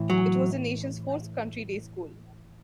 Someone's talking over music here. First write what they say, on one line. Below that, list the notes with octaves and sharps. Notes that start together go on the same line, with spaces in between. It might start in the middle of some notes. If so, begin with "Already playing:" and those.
It was the nation's fourth country day school.
Already playing: A2 E3
F#3